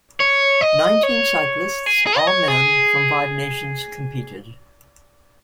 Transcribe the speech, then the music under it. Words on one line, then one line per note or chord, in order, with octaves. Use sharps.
Nineteen cyclists, all men, from five nations competed.
C#5
D#5
C#5
G#4
G#4
D#5
C#5
G#4